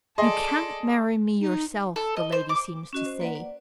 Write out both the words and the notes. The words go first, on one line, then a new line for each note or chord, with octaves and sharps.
"You can't marry me yourself," the lady seems to say.
G#4 A4 D5 D#5 C6
D#4
A4
D#5
C5
D6
C#4 F#4 D#5
C5
A#3 B4 D5 F#5
D5